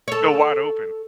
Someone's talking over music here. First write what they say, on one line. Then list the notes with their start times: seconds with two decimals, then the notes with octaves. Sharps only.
go wide open.
0.08 A4 C#5